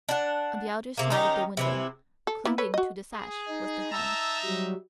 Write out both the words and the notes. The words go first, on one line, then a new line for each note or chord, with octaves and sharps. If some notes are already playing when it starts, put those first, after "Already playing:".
On the outer side of the window, clinging to the sash, was the hand.
D4 F#5
C3 A#3
D#3 C#4 D#4 G4
C3 E3 E4
A4
A#3 B3 E4
A4 B4 C#5
F#4 D#5
G#4
D#4
D#4 E5 A5 A#5 E6
F#3 G3